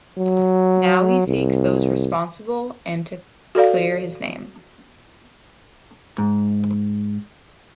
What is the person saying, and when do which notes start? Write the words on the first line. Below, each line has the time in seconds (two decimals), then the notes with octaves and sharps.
Now he seeks those responsible and to clear his name.
0.17 F#3
1.27 C2
3.55 F#4 A4 D5 F5
6.18 G#2